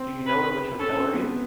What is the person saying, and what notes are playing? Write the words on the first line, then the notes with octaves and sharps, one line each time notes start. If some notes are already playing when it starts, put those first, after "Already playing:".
Do you know in which hotel are you?
Already playing: C4
B4
C#4 A4
C4
B3